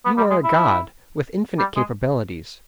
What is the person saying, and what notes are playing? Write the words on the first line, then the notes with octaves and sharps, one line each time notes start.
You are a god, with infinite capabilities.
B3
G3
G#3
E4
G3
G#3